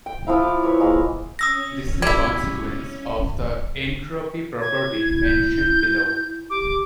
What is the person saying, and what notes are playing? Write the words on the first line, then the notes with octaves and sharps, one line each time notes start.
This is a consequence of the entropy property mentioned below.
G5
F3 C4 E4 F5
D6
B4 C#5
G#3 A#3 F5
C#4 D#6 E6 A#6
G3 E4 G#6
C#5 G#6
E4
G6
G4 D6